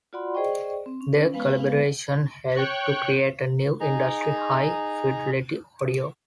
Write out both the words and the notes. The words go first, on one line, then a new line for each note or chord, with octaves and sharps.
Their collaboration helped to create a new industry: high-fidelity audio.
F4 F#4 D5 F#5 B5 C6
G#4 C5 D5 D#5 G5 C#6
C4
C#4
G#3 B3 B4 F5
C#5 G5 C#6 F#6
D#4 G#4 A#5